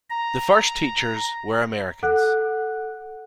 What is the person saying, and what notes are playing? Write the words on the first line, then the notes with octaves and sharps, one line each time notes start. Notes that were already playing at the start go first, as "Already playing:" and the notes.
The first teachers were Americans.
A#5
A4 F#5 F#6